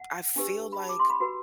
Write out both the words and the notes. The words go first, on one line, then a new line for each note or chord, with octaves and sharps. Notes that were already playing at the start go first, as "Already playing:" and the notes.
I feel like
Already playing: F#5
D4 G4 B4
B5
A5
D6
C6
B5
F#4 B4